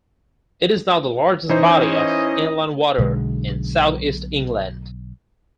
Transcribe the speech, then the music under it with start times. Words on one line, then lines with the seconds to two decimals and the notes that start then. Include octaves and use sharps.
It is now the largest body of inland water in south east England.
1.49 E3 C#4 D#4 E4 C5 D#5
2.98 B1 B2 D3 G#3